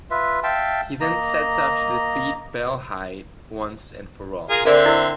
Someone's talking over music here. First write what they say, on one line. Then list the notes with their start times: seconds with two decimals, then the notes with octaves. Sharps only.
He then sets off to defeat Baelheit once and for all.
0.11 F4 B4 E5
0.43 E5 F5 G5 A5
1.00 A#3 D#5 A#5
4.50 F4 G#4 A#4
4.65 D3 C4 A#4 D5 E5
4.86 E4 A4 D#5